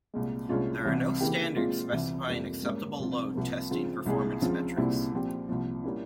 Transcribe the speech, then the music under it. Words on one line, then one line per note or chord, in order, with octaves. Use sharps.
There are no standards specifying acceptable load testing performance metrics.
C2 A#2 G#3
C2 A#2 G#3 C#4 F4
C2 C3 E3
C#3 E3 A#3 E4 G4
A#2 G#3 C4 F4
C2 C3 E3
F2 C3 G3 A#3
G#2 G3 A#3 C#4
C2 C3 F3 C4 F4
C2 C3 F3 A#3
C#3 F3 C4 F4
C2 A#2 G#3 E4 G#4
C#2 C#3 F3 C4 F4
C2 A#2 G3 C4 E4
A#2 F3 C4 G4
C2 A#2 F3
A#2 G3 A#3 C#4 E4